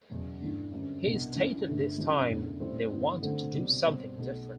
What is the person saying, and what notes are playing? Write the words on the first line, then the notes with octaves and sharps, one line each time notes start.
He stated this time they wanted to do something different.
F#1 E2 B2 F#3
G2 E3 A3 D4
F#2 D3 G3 C4
C2 B2 G3 B3 D4
F#2 E3 G3 D4
G1 G2 D3 A3
F#1 F#2 E3 G3 C4
F#1 E2 B2 A3 D4
A2 E3 G3 C4 E4
G2 D3 G3 B3 E4
D2 D3 A3 C4
C2 B2 G3 C4
B2 G3 C4 G4
B1 B2 A3